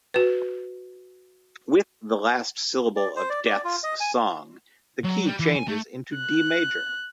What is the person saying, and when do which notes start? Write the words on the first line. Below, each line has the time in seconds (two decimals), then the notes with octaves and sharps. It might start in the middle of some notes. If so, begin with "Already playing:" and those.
With the last syllable of Death's song, the key changes into D major.
0.14 F#4 B4
2.96 D5
3.16 C5
3.30 D5
3.46 D5
3.64 F4
3.83 D#5
4.00 G#5
5.04 F#3
5.26 G3
5.40 E3
5.56 G#5
5.68 A3
6.17 F#6